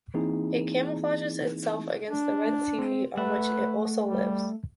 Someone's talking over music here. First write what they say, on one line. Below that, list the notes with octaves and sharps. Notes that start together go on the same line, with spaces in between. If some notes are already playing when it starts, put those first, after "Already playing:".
It camouflages itself against the red seaweed on which it also lives.
E3 A#3 C4 D#4 E4 G#4
D4
C4
A3 B4 E5 F#5
G3